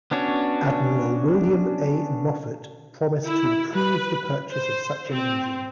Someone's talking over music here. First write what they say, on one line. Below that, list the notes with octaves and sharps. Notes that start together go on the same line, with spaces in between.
Admiral William A. Moffett promised to approve the purchase of such an engine.
B3 C#4 D4 F#4 C#5
E4
B4
C5
C4